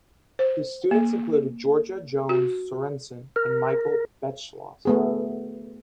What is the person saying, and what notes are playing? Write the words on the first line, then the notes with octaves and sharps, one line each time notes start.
His students included Georgia Jones Sorenson and Michael Beschloss.
C5
A#3
F#4
A#4
A3 B3 G#4